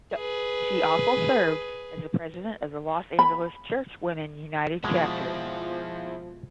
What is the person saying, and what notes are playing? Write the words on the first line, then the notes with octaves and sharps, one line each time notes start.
She also served as the president of the Los Angeles Church Women United chapter.
G#4 B4
B5
B2 F3 G#3 A#3 E4 G#4